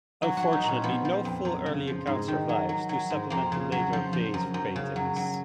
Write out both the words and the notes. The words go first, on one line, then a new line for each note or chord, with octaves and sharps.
Unfortunately no full early account survives, to supplement the later vase-paintings.
F#3 F#4
F#4
F#3
D#4
A#2 C#4
F3 B3
F3
F2
F#2
C#3
F3
G#2
D#3
F#3
F#3
F#3
G#2
F2 A#3
C#3
F#3
F3
F3
F#2
F#2
C#3
F#3
F#3